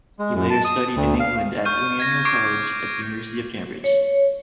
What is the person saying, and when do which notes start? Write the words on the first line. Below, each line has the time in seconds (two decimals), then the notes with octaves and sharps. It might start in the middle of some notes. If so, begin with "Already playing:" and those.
He later studied in England at Emmanuel College at the University of Cambridge.
0.19 G#3
0.35 F#2
0.50 A5
0.65 D#6
0.96 D2
1.20 F5
1.65 C#6 F6 G6 D#7
2.00 G#6 A#6
2.25 C#6 D6 G#6 C7 D7
3.84 C#5